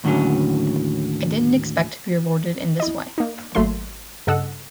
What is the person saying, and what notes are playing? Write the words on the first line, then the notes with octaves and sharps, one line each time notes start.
I didn’t expect to be rewarded in this way.
D#2 A2 D3 D#3 F#3 C#4
E4 D#5
A#3 D#4
G#1 F#3 A3 A#3 C6
G2 C#3 A4 D#5 F#5 E6